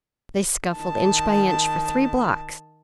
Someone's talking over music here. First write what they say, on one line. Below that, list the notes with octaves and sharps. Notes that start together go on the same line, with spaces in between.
They scuffled inch by inch for three blocks.
D#3 A5